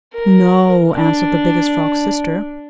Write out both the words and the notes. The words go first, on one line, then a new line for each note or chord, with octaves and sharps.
"No," answered the Biggest Frog's Sister.
A#4
D4